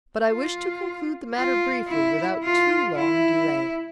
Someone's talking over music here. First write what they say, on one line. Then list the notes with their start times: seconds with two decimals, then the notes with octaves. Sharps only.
But I wish to conclude the matter briefly without too long delay.
0.26 F4
1.35 F4
1.88 E4
2.43 F4
2.96 E4